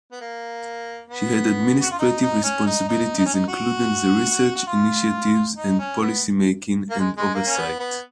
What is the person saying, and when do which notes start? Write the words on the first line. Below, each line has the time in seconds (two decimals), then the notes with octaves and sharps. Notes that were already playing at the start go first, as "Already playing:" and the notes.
She had administrative responsibilities including the research initiatives and policy making and oversight.
0.11 B3
0.21 A#3
1.10 B3
1.82 F#4
1.91 F4
1.99 D#4
2.22 D#4
2.44 C#4
2.66 D#4
2.88 D#4
3.18 D#4
3.26 C#4
3.33 D#4
3.48 F#4
4.56 F#4
4.67 F4
5.57 D#4
5.79 C#4
6.01 B3
6.90 A#3
6.99 G#3
7.17 G#3
7.35 A#3
7.47 C#4
7.57 B3
7.80 B3